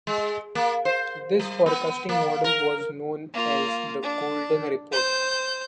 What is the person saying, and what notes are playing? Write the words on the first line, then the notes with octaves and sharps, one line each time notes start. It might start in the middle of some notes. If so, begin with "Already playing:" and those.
This forecasting model was known as "The Golden Report".
G#3
A#3
C5
G3
B3
A#3
A#4
A#3 F4
D4
C5 G6